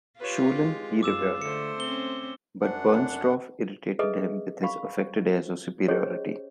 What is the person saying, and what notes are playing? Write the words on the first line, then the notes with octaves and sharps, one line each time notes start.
Schulin he revered, but Bernstorff irritated him with his affected airs of superiority.
F4 G4 B4 C#5
G#3
F#2 F4 D6 E6 E7
D3 A3 C5 C#7
C4 C#4 G7
F#2 D4 F#5
G#4 A4 B4 D#5 E5
F5 B5 C#6
C#4 G4 G#4 C5 C#5 D#5